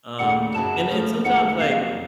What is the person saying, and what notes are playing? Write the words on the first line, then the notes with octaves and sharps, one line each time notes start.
Um, and and sometimes, like,
D#2 C#3 A3 F#5
F#2 C#3 F#3 A5
C#3 F3 A3
D#2 C#3 A3 D#4 F#5
F2 C3 F#3 A#3 F5